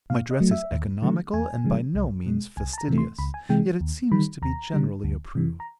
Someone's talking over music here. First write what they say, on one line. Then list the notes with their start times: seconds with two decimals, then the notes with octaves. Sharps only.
My dress is economical and by no means fastidious; yet it seems to be generally approved.
0.10 A#2 F5
0.31 D#5
0.40 F#3 A3
0.51 E5
0.71 D#2
1.02 D3 F#3 A3
1.34 E2 G#5
1.64 C#3 F3 G#3
1.95 C2
2.26 B2 G#3
2.57 C2 G#5
2.73 A5
2.78 A#5
2.88 C3 E3 A3
2.98 C6
3.18 C#2 B5
3.34 G#5
3.49 C3 E3 G#3 G5
3.81 D#2
4.12 D#3 G3 B5
4.42 D#2 A#5
4.73 D3 G3
5.04 D2
5.35 C3 E3
5.60 A#5